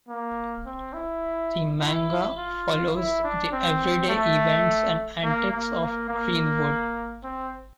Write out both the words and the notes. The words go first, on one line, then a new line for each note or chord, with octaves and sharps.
The manga follows the everyday events and antics of Greenwood.
A#3
C4
E4
E4
F4
E4
D4
C4
A3
A#3
A#3
A#3
A#3
C4